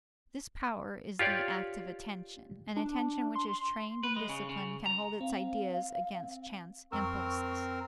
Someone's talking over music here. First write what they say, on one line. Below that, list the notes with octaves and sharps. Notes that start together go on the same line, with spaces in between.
This power is the act of attention. An attention which is trained and disciplined can hold its ideas against chance impulses.
F4 G4 C#5 D5
D4
C6
B4
G#3
C#3
C#3
A#5
C4 F5
F2 C4 A#4 C#6 E6